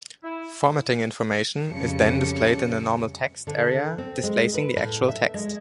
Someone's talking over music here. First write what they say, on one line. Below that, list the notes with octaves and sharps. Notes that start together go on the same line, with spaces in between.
Formatting information is then displayed in the normal text area displacing the actual text.
E4
F2 C#3 G3 A4 C#7
D3
C4
G#3
B4
A2
E5
G#3